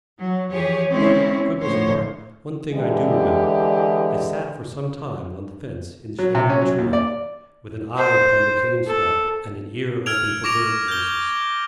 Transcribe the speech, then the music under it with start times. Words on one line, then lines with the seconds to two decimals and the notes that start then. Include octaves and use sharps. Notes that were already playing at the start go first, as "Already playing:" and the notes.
But, quibbles apart, one thing I do remember: I sat for some time on the fence, in the shade of a tree, with an eye upon the cane-swamp and an ear open for bird-voices.
0.21 F#3
0.52 E3 F3 G4 G#4 C#5
0.90 G#3 C4 C#4 E4 C#5
1.62 A2 D3 F3 C5 C#5
2.73 D3 E3 G#3 G4 D5
6.19 F#3
6.35 C3
6.50 C#4
6.62 F#3
6.78 D#2
6.93 D5
7.97 C5
8.86 A4
10.06 E6 F6 G#6 D7 F7
10.44 C#6 D6 A#6 D7 F7
10.88 G6 G7